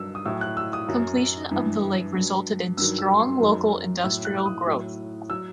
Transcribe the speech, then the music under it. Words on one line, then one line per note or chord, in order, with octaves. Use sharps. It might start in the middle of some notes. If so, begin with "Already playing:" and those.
Completion of the lake resulted in strong local industrial growth.
Already playing: G2 D#3 F#3 E6
D#6
A2 F#3 E6
F#6
E6
D#6
F#2 F#3
G2 E3
G2 F#3
G2 D#3 F#3 E6
E6
C6
F#2 D#3 F#3
A2 F#3 E6
F#6
D#6
A2 F#3
F#3 E6